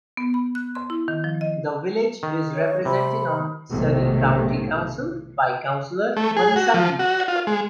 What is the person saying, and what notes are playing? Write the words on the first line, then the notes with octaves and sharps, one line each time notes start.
The village is represented on Surrey County Council by Councillor Marisa Heath.
B3
B5
F#6
C6
E4
D#3
F3
D#5
D#3
C#5
C3 B5
B1 G#2 C3 D#3 A3
A3
G#4
F#4
F3
F#4
F4
G#3